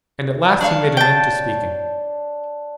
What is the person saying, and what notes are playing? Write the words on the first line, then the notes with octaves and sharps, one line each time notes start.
And at last he made an end to speaking.
D4 C#5 F5
G5 A5